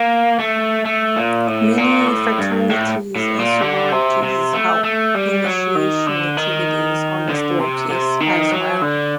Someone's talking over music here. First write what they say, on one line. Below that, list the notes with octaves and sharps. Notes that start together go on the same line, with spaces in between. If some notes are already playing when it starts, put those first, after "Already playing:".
Many fraternities and sororities held initiation activities on the staircase as well.
Already playing: A#3
A3
A3
A#2
A2
A#2
A2
G2
A2
A2
A#2
D3
C3
C3
A3
A3
G3
F#3
D#3
D3
D#3
D3
C3
C3
D#3
F#3
D3